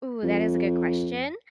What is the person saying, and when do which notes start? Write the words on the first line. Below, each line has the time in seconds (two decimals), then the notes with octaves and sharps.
Ooh, that is a good question.
0.23 F2